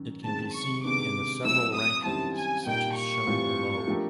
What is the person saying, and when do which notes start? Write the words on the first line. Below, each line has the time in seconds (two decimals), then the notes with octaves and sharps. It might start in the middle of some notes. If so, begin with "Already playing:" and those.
It can be seen in the several rankings such as shown below.
Already playing: F#2 D#3 C#4
0.24 F#2 D#3 G#3 C4 A5
0.54 C#6
0.84 C3 D#3 G#3 B3 D4 D6
1.44 F#3 A3 C4 E4 E6
1.75 D#6
2.05 F#2 D#3 G3 C4 E4 A5
2.36 G#5
2.66 A#2 G3 A#3 D#4 G5
2.97 C#6
3.26 A2 E3 G3 C4 F4
3.87 F3 A3 D4 G4 A#4